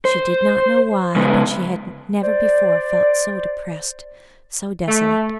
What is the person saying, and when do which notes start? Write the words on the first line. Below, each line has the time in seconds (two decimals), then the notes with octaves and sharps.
She did not know why, but she had never before felt so depressed, so desolate.
0.05 C5
1.16 C#3 G#3 B3 D#4 B4
2.22 C5 D5
4.88 A3